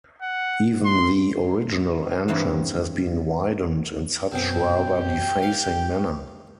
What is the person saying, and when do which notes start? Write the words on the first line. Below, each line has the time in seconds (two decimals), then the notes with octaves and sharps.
Even the original entrance has been widened in such rather defacing manner.
0.22 F#5
0.85 C6
2.28 E2 G2 A#3 C4
4.32 F#2 B2 C4 G5
4.94 G4
5.42 F5